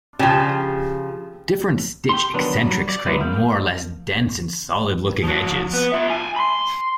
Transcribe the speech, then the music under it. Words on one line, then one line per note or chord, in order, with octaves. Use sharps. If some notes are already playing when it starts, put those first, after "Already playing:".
Different stitch eccentrics create more or less dense and solid-looking edges.
C#3 F3 G4
G4 C6
D3 D#3 F#3 B3 D4
F#3 G3
D5
F#3 G#3 B3 E4
A#4 F5 F6 G6
F3 F#4
B3
F4 E5
G#5 A5
B5 C6